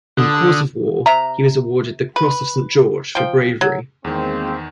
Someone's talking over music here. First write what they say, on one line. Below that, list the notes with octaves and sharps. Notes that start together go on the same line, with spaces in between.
In course of war he was awarded the Cross of Saint George for bravery.
D3 D#6
C3 E5 A#5
B4
F3 G5
F#3
E2 D#3 G#3 A#3 C4